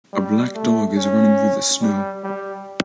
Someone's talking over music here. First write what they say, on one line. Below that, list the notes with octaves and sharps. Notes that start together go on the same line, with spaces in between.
A black dog is running through the snow.
G3
A3
C#4
G3
G3